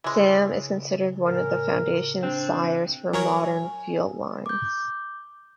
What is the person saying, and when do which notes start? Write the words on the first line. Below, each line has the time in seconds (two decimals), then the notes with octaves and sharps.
Sam is considered one of the foundation sires for modern field lines.
0.04 C#3 E3 G#3
1.26 A2 C#3 A#4
2.23 C4 D4
3.13 F#3 A#4 C#5 G#5
4.46 D6 G6